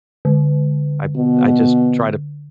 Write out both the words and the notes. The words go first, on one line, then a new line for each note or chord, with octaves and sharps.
I I just try to
D3
B2